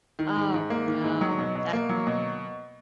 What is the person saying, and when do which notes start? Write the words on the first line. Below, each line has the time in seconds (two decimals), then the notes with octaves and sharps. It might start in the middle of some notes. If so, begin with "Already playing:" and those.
Oh, no. That mm-mm.
0.19 D#3
0.36 G#2
0.54 G#2
0.70 A#3
0.87 D#3
1.04 G#2
1.21 F#3
1.38 B2
1.55 B2
1.73 A#3
1.89 F#3
2.07 B2